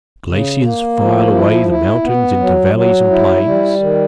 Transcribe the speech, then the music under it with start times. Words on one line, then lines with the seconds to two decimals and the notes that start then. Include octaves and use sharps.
The glaciers file away the mountains into valleys and plains.
0.27 C#3
0.63 A#3
0.98 F3
1.33 E4
1.69 E4
2.04 B3
2.40 F#3
2.75 F#3
3.10 E4
3.46 G3
3.81 D#3